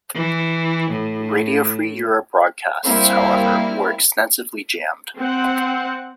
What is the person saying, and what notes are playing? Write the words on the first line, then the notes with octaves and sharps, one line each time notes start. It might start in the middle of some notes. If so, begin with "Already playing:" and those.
Radio Free Europe broadcasts, however, were extensively jammed.
E3
A2
G3 A#3 C4 E4 F5
C4 F#5